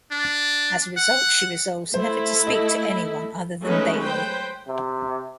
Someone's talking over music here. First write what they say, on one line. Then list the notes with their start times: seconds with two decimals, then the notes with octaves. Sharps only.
As a result, she resolves never to speak to anyone other than Bailey.
0.11 D4
0.97 F#5
1.94 A3 E4 C5
2.47 A4 D#5
3.64 F#3 G#3 A3 C#4 D#4 B4
3.99 B4 C5 G5
4.68 C3